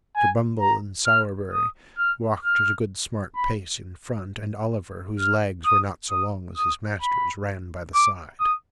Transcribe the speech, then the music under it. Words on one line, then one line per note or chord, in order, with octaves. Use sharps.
Mr. Bumble and Sowerberry walked at a good smart pace in front; and Oliver, whose legs were not so long as his master's, ran by the side.
G#5
A#5
F6
D#6
F6
F6
B5
F6
D#6
D#6
D#6
B5
D6
D#6